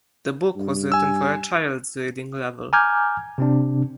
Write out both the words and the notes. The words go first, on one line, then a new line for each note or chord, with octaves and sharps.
The book was written for a child's reading level.
G2
G#5 E6
G#5 A#5 D6 F6 G6 G#6
C3 C4 D4